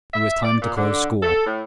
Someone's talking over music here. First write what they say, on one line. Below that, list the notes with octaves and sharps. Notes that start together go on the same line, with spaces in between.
It was time to close school.
E5
D5
A#2
D3
A4
A2